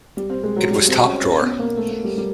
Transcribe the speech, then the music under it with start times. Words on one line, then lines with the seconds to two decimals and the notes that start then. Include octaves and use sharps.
It was top drawer.
0.17 G3
0.30 C4
0.43 G#3
0.56 F#3
0.70 G3
0.88 C4
1.06 C#4
1.24 C#4
1.41 B3
1.59 A#3
1.77 A3
1.91 A3
2.04 G3
2.17 G3